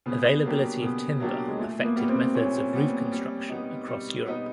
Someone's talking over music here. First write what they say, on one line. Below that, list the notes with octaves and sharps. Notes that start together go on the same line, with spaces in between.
Availability of timber affected methods of roof construction across Europe.
C#3 B3
F#3 A#3 D4 G4
C#3 B3
F#3 A#3 D4 G4
G#3
A#2 A3
B3
A#3
G3 B3
C4
A#2 C#4
G3 B3
G3
B3 D#4
G3
B3 D#4